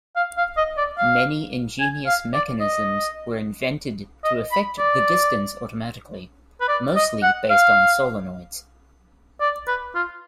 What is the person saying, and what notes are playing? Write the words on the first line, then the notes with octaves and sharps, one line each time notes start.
Many ingenious mechanisms were invented to effect the distance automatically, mostly based on solenoids.
F5
F5
D#5
D5
F5
G#5
F5
D5
D#5
D#5
B5
D5
B4
D5
D#5
F#5
F5
D5
B4
F4